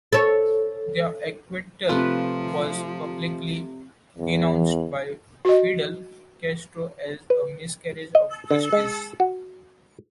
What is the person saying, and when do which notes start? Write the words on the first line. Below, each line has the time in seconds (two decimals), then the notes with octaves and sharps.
Their acquittal was publicly denounced by Fidel Castro as a miscarriage of justice.
0.13 A4 C#5
1.89 C3 F3 A3 F4 B4
4.18 E2
5.45 F#4 D#5
7.30 B4
8.15 D#5
8.51 D3
8.73 G#3
9.20 F#4